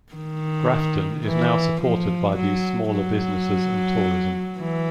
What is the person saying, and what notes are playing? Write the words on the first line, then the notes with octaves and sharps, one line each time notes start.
Grafton is now supported by these smaller businesses and tourism.
D#3
E3
F3
F#3
F#3
E3